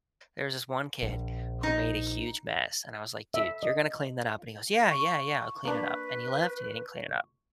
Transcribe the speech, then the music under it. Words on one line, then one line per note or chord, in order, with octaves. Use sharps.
There was this one kid who made a huge mess, and I was like, "Dude, you're gonna clean that up?" And he goes "Yeah, yeah, yeah. I'll clean it up." And he left, and he didn't clean it up.
A#1
D#4
E5
D#5
C#6
A#3 D4 B4